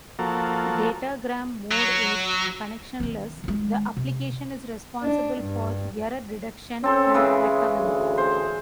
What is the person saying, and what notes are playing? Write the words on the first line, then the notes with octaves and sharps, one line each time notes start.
Datagram mode is connectionless; the application is responsible for error detection and recovery.
F3 A#3 F#4 A4
F#3
D#3 C4
D#3 G#3
C3
D4
G2
C4 C#4 A4 C5
C#3 E3 G#3
D2
C5